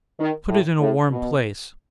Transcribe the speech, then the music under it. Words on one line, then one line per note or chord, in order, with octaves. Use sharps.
Put it in a warm place.
D#3
A2
A2
B2